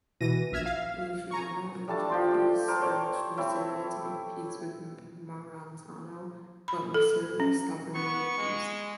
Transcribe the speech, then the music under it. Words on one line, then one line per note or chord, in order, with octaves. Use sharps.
Luciano and Genovese urged Masseria to make peace with Maranzano, but Masseria stubbornly refused.
B2 E3 A#6 D#7
A#1 E5 F6 G#6 E7
F5
G#5 A#5 C#6
G3 A3 D4 A5
F3 G5 C6
G4
A4 A#4 C5 D5
C5 C#5 G5 A5
C4 E4 C#5 G5
B5
A4
C#4
B3 C#6
G#3